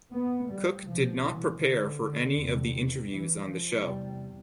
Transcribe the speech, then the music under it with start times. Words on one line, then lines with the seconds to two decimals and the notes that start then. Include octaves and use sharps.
Cook did not prepare for any of the interviews on the show.
0.14 B3
0.51 G3
0.88 C2 B2 F3
1.24 E3
1.61 D3
2.35 E2 C3
3.09 E3
3.46 F3
3.83 E2 C3 G3